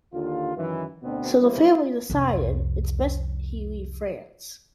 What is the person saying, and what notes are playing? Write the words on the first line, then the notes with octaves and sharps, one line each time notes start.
So, the family decided it's best he leave France.
D#2 D3 F4
F#2 D#3 E3
D2 B2 B3 C4 D4
E2 G3 A#3 E4 C5
C2 F2